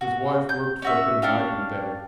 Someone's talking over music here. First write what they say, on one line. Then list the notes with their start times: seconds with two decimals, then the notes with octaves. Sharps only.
His wife worked for him night and day.
0.01 F#4
0.49 G6
0.82 C#4 F#4 E5
1.22 C#4 D4 G4 F5